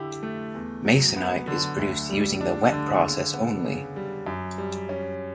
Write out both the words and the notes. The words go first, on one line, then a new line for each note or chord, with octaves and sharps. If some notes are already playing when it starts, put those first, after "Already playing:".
Masonite is produced using the wet process only.
Already playing: D3 E4 G4
A3
E2
F#3
B3
D3
D2
G3
D4
D3
C#3
B3
C#3
G3
F#2
G3
C#4